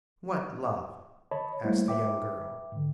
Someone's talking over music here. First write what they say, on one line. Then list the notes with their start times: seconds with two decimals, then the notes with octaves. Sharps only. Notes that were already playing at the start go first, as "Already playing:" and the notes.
"What love?" asked the young girl.
1.31 C#5 D#5 A5 B5
1.63 G3 A3 A#3 E4 C5 C#5
1.88 B4 E5 G5 D6
2.72 G#2 D3